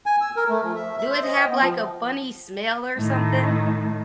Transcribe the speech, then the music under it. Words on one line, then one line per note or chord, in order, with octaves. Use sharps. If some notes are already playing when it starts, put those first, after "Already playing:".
do it have, like, a funny smell or something?
G#5
E6
A#4
A3
F3
E5
E5
C5
D#5
G5
B3
F3
A2 D#3